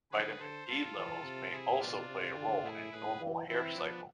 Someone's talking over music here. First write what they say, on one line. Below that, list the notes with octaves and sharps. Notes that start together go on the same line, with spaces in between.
Vitamin D levels may also play a role in normal hair cycle.
D3 G#4 B4
D3 A4 C5
F4 A4
E3
C3
C3 E4 G#4
B2 D4 F4
C3
D3
A2 E4 G#4
A2 G#4 B4
E3
E3 C4 E4
F3 B3 D4